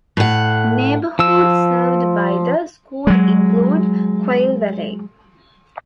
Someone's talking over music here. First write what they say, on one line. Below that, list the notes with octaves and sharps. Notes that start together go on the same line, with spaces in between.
Neighborhoods served by the school include Quail Valley.
A2 F#5
F3 E6
F#3 G#3